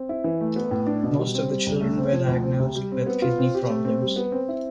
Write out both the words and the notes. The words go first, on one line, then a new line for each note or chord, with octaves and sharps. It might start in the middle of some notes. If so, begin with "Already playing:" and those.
Most of the children were diagnosed with kidney problems.
Already playing: C4
E4
E3
A3
B3
A2
D4
B2
G3
C4
G3
C2
A3
C4
F3
D2
C4
C3
G3
C4
B3
F4
C4
G4
A3
C4
G3
B3
C4
E4